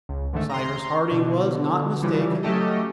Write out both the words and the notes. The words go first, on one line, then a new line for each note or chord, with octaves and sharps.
Cyrus Harding was not mistaken.
C#2
G#2 D3 D#3 A3
A#5 C6
B2 D3
C#3 E3 F3 G3
F#3 A3 C#4 G4 A4 D#5